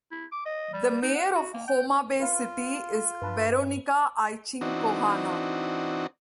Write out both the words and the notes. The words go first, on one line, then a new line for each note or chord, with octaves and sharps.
The mayor of Homa Bay city is Veronica Achieng' Kohana.
E4
D6
D#5
G3
D#4
F#5
F#4
A#3
G5
F4 B4 F5
G2 B4 A5
E3 C4 D4 D#4 F#4